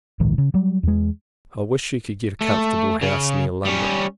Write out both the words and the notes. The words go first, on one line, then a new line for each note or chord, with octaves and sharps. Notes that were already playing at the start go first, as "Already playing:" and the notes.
I wish you could get a comfortable house near London.
D1 A#1 G#2 D#3
C#3
F#3 G3
E2 G#3
A3
C#3
G3 C#4